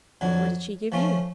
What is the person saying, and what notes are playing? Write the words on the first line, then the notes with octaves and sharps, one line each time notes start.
'What did she give you?'
F2 D3 F#3
F3 A3 C#4 F4